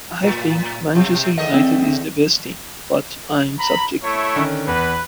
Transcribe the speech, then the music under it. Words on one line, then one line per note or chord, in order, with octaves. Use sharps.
I think Manchester United is the best team, but I'm subjective.
A2
B2
E2 A3 D#5
C4
A#5 B5
A3 E4 C#5
D3 D#3 C#4
E2 B4